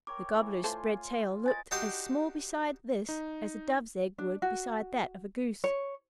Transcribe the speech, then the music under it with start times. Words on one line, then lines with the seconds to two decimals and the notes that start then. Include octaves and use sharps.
The Gobbler's spread tail looked as small beside this as a Dove's egg would beside that of a Goose.
0.07 A#4 C#5 G5 D6
0.33 E3 A4
0.64 A3 F4 C5 G#5 A5 C6
1.46 B4 C5 D#5 G#5 A6
1.71 D4 D#4 F#4 G4 D5 C6
3.09 D#4
4.18 D4
4.42 F#4
5.64 C#5